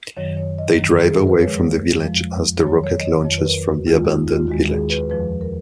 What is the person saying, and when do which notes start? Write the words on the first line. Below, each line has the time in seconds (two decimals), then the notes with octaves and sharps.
They drive away from the Village as the rocket launches from the abandoned Village.
0.17 F#2 D#3 F#3 C#5
0.37 C#5
0.58 D#5
0.78 F#2 D#3 F#3
1.00 G#4
1.14 A#4
1.27 B4
1.40 F2 F3 G#3 C#5
2.02 F2 F3 G#3
2.63 F2 D#3 F#3 C#5
2.84 C#5
2.99 D#5
3.05 C#5
3.25 F2 D#3 F#3 C#5
3.38 B4
3.46 A#4
3.66 F#4
3.87 D#2 D#3 G#3 F4
4.07 D#4
4.28 F4
4.49 D#2 D#3 G#3 F#4
4.69 G#4
4.90 B4
5.10 F2 F3 G#3 B4
5.41 A#4